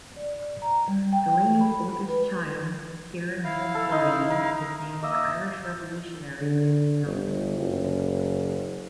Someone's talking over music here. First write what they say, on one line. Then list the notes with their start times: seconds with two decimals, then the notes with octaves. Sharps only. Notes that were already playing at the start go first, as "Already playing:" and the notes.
Delaney's oldest child, Ciaran Wolfe Delaney, is named for Irish revolutionary Wolfe Tone.
0.16 D5
0.62 A#5
0.88 G3
1.13 G5
1.61 B5
2.08 B4
3.44 E4 F5
3.75 A4
3.91 D#4 A#4 C6
4.30 A#4
5.02 A#3 D#5 E5
6.41 D3
7.06 G1
7.58 F#1